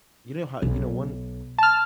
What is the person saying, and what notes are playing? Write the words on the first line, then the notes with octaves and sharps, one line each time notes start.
you know how you know, one
B1
A5 F6